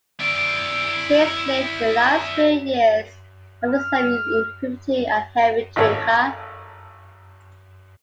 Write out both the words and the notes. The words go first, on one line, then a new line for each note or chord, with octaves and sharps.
Shays lived the last few years of his life in poverty, a heavy drinker.
E4 D5
F6
G#1 A2 F4 A4 C#5